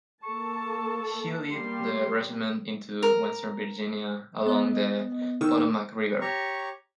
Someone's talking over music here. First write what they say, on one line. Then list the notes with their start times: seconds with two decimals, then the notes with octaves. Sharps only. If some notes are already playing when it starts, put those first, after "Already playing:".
He led the regiment into Western Virginia, along the Potomac River.
0.23 A#3 A4 A5 C#6
1.51 G3 A#3 G4 C6
3.03 A#4
4.46 B3 D#5
5.41 D#3 C#6 E6
6.21 G4 C#5 A#5 C#6